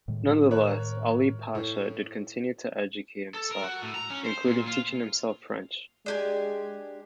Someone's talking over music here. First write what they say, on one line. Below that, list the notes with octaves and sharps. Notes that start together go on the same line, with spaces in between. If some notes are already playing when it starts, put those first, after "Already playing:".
Nonetheless, Ali Pasha did continue to educate himself, including teaching himself French.
A2 D#3 G#3
A#4 C#5 F#6
A2
A4
A#4
F#4
A2
A#5
C#4
C5
A#2
F4
G#3 D4 G4 G#5